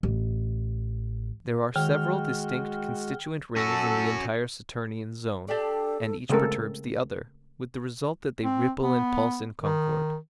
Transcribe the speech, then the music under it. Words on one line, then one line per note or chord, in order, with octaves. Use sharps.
There are several distinct constituent rings in the entire Saturnian zone, and each perturbs the other, with the result that they ripple and pulse in concord.
A1
D#3 G#3 F#4 G5 F6
C#4 F#4 A4
D4 G4 A4 D5
C#3 G#3 A3 C4 A4 A#4
C4
B3
D#3